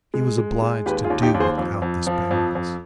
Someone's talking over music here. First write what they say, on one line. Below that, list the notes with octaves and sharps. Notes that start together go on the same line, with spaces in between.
He was obliged to do without this balance.
G#3
G#3
G#3
D#2 G4 B4
F4 G#4
D#2
D#4 G4
D#2
G#4 C5
F2
F2
F3
F2
F2